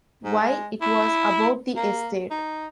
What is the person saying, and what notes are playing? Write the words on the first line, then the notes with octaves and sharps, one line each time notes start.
Why, it was about the estate.
G#2
G#3
E4
A#3
D#4